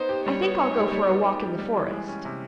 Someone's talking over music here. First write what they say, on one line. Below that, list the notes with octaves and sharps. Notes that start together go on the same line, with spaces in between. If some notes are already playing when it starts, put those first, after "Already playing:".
I think I'll go for a walk in the forest.
Already playing: B3 D#4 C5
G4
G3 C#5
B3
D#4
G4
G3
B3
D#4
G4
G3
E3
G#3
C#4
C3